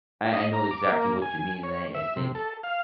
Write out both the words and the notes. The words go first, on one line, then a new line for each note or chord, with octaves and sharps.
I I know exactly what you mean, and I I think
D#5
A#5
D6
A#3
G#5
C#5
E5
C3
A4
F5